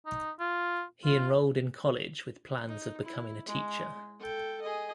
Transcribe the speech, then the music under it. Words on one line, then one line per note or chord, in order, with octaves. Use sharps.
He enrolled in college with plans of becoming a teacher.
D#4
F4
F4
D#4
E4
G#3
A4 G5
G#4 D#5